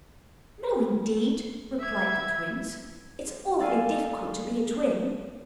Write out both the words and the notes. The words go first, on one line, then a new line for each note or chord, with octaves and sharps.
'No, indeed,' replied the twins; 'it's awfully difficult to be a twin.'
E5 G#6
A4 D5 F5 G#5